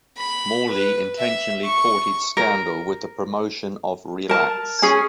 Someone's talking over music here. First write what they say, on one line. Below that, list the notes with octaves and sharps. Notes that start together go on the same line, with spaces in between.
Morley intentionally courted scandal with the promotion of "Relax".
B5
B4
E5
C#6
A#4
A#4 A5
C#4 G#4 G#5